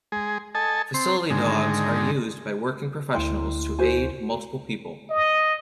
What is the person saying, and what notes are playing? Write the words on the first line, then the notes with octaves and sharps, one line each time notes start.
Facility dogs are used by working professionals to aid multiple people.
G#3 G#4
A4 D#5 G#5 A5
C4 C6
G#2 D3 D#3 G#3
D2 E4 G5 C6
F#4 C5 G#5
D#5